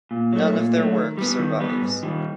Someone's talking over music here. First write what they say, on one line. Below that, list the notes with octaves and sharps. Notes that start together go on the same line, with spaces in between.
None of their work survives.
A#2
F#3 A3
A#2
F#3 A3
D#3
G3 B3
D#3
G3 B3
G#2
D#3 G3